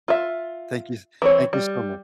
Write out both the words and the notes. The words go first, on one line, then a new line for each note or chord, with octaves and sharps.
Thank you s thank you so much.
F4 E5
E3 C4 C#5
G3